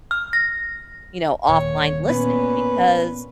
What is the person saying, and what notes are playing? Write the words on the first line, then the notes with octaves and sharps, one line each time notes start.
you know, offline listening because
F6
A#6
D#1 C#5
A#2 B3 C#4 B4